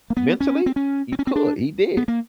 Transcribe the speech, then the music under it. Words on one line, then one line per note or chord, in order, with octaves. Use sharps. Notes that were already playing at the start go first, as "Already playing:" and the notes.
mentally, he could, he did
A#3
B3
C#4
C4
C#4
C4
C#4
C4
D4
B3
A#3